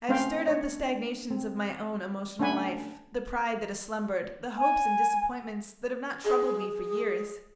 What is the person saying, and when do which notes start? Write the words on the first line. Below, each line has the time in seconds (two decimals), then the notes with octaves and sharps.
I have stirred up the stagnations of my own emotional life, the pride that has slumbered, the hopes and disappointments that have not troubled me for years.
0.09 A3 C4 C#4 C5 F5 G5
0.48 D4 C#5
1.31 C4
2.39 A3 C#4 D4 F#5 G#5 B5
4.58 G#5
6.25 G#4